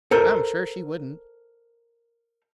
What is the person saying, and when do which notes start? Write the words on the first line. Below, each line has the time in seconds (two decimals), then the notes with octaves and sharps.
"I'm sure she wouldn't."
0.11 A4 A#4 C5